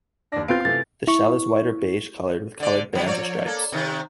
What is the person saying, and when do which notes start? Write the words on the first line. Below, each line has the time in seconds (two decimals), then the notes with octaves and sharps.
The shell is white or beige-colored with colored bands or stripes.
0.32 D#2 D4 A#6
0.48 B3 C4 F4 F5 G6 D7
0.65 C3 E3 A3 A6
1.07 E4 C#6
2.60 D3 D5
2.93 D3 F#3
3.06 F3 C#5 D5
3.46 A#3 A4
3.72 C3 D#3